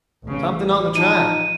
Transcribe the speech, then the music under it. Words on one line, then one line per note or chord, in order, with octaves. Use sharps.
Something on the track.
A1 C#3
E3
F3 D#4 D#7